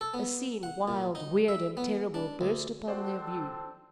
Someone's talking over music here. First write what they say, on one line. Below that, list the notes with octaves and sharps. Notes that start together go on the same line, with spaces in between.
A scene, wild, weird and terrible burst upon their view.
A4
B3
F#5
A#2
D#4
E5
B3
D4
D2
C4 D4 F#4 A4 C5 D5